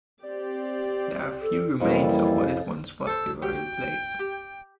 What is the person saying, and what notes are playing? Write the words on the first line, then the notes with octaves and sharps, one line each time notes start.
There are a few remains of what it once was the royal palace.
C4 G4 D5
A4
F2 E3 G3 A#3 C#4 E4 G#4 A4
A4 C5 E6
F#4 G4 G5
G4